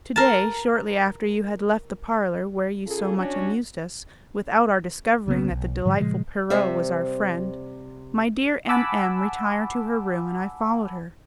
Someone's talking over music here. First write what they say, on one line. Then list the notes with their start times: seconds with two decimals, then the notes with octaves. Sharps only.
To- day, shortly after you had left the parlour, where you so much amused us, without our discovering that the delightful Pierrot was our friend, my dear M---- M---- retired to her room and I followed her.
0.16 A#4 A5
2.85 C#3 F4 G#4 A4
3.16 C#4 D4 F#4 C#5
5.26 B1 C#3 A#3 B3
5.51 B1
5.85 G#2 D3 F3 G3
6.00 A#2 C#3 F3 G#3
6.50 C3 G3 C5 E5
8.69 F#5 G#5 A5 B5 D6 E6